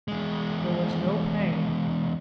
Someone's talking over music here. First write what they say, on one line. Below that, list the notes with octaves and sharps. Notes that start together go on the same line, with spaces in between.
There was no pain.
E2 G#3